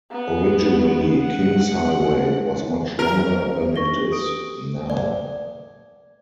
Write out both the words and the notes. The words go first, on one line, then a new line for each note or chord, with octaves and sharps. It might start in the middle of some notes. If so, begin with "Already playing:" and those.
Originally, Kings Highway was much longer than it is now.
B3
F#5
A#4
D4 B4 C#6 A#6 G7
G4 A4 D#6 D7
D5